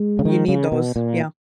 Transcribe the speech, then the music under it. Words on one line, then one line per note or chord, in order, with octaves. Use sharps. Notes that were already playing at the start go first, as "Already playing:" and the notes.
You need those. Yeah.
Already playing: G#3
C#3
D#3
C#3
B2
A#2